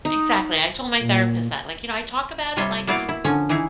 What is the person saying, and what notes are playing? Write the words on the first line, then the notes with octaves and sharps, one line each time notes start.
exactly, I told my therapist that, like, "You know, I talk about it like
D#4
A#2
C3 G3 F4 C#5 D#5 E5
A#3 B3 E4 F#4 D5 F5
E4
D3 F3 C#4
E3 D#4 E4 G#4